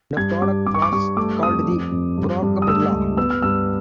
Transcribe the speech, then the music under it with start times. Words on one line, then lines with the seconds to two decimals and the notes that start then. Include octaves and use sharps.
The product was called the Brockabrella.
0.17 G2 G#6
0.42 G2 D6
0.66 G2 D6
0.74 C#6
0.82 D6
0.92 G2 C#6
1.17 A3 D6
1.42 F2 D#6
1.67 F2
1.92 F2
2.17 G2
2.42 G2
2.62 D#6
2.68 A3 E6
2.92 C#2
3.17 B3 E6
3.30 F6
3.42 G2 E6